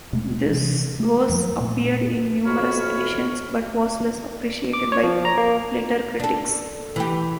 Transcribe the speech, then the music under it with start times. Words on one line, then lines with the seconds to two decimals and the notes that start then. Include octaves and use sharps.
This verse appeared in numerous editions, but was less appreciated by later critics.
0.13 D#1 B2 G#3 A3
0.50 C3 E3
1.00 A3
1.29 F2 F3 F#3
1.60 A#2 A3
2.45 F2 A2 F#4 C#5 B5 F6
4.73 D6
4.92 C#5
5.03 F3
5.25 A#5
5.37 A#3
6.20 D4 A4
6.96 E3 G4